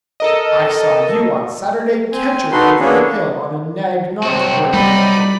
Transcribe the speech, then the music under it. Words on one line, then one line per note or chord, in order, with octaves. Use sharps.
I saw you on Saturday cantering over the hill on a nag not worthy of you.
A4 A#4 D#5
C4 G#5
D#4 F#4 A4 B4 C6
A#3 B3 C#4 D4 G#4 A4
C2 C3 F#3 C4 F#4
G3 D#4 D5 B5